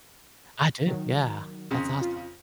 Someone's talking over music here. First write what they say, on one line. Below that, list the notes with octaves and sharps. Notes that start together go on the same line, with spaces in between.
I do, yeah, that's awesome.
D#3 F#3
F2 C#3
F4